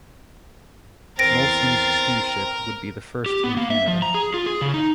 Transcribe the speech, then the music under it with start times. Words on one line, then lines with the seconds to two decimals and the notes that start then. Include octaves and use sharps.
Molson's steamship would be the first in Canada.
1.19 E2 C4 A#4 A6 A#6 C7 D7
3.26 G4
3.44 B3
3.57 A#3
3.70 E5
3.88 F3
4.02 A#5
4.14 G#4
4.34 F4
4.46 G#4
4.61 C#3
4.74 D#4